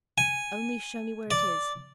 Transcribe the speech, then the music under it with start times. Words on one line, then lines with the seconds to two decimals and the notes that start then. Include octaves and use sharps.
'Only show me where it is.
0.18 G#5
1.31 D5